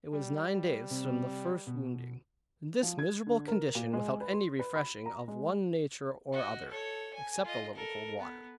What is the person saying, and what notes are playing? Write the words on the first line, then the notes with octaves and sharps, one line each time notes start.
It was nine days from the first wounding, in this miserable condition, without any refreshing of one nature or other, except a little cold water.
G3
C3
B2
F3
G#6
D3
A#4
A#2
G#3
B4
C6
B4
B5
A#5
G#3
F#4 D#5
A4 C#5
G#5
F4 D#5
A4 A#4
B3